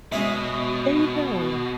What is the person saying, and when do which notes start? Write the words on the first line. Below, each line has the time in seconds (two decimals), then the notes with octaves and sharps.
There you go.
0.12 B2 G#3 C#4 E5